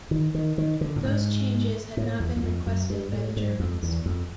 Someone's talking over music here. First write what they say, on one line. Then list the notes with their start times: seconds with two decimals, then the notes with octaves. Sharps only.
Those changes had not been requested by the Germans.
0.11 D#3
0.35 D#3
0.58 D#3
0.81 D3
0.96 A2
1.04 G#2
1.97 A2
2.20 E2
2.36 E2
2.43 F2
2.67 F#2
2.90 G2
3.13 A2
3.37 G#2
3.60 F2
3.83 E2
4.06 F2